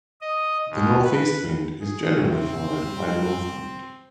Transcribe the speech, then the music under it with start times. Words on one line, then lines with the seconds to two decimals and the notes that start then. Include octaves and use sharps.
The northeast wind is generally followed by a north wind.
0.21 D#5
0.70 D#2
1.04 B4
1.81 G#4
2.25 C#3 C4 E4
2.85 G3 G4